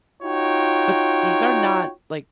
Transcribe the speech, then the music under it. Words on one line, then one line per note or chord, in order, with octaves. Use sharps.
but these are not, like"
D#4 F4 F#4 C#5 G5